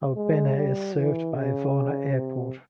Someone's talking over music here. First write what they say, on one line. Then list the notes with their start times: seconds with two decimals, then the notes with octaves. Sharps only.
Albena is served by Varna Airport.
0.17 G#3
0.56 G3
0.97 E3
1.37 C#3
2.17 C3